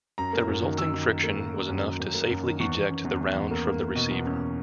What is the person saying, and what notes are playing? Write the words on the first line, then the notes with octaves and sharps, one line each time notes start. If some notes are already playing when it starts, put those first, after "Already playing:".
The resulting friction was enough to safely eject the round from the receiver.
F#2 A#5
A#3
F#2
D#3
D#3 E6
D#3
A#3
A#3
A#3
A#3
F#2
F#2
F#2
A#3
F#2
D#3
E2 C#6
E2
C#4
E2
E2
E2
A#3
A#3
A#3
B2
E2
C#4